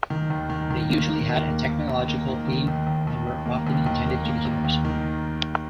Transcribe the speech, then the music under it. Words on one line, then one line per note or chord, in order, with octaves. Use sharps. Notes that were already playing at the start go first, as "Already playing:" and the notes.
They usually had a technological theme and were often intended to be humorous.
D#3
D#2
D#3
D#3
A#3
A#3
D#2
A#3
D#2
D#2
A#3
D#3
D#2
D#2
D#2
D#2
D#2
A#3
D#2
D#2
A#3
A#3
D#2
D#2
D#3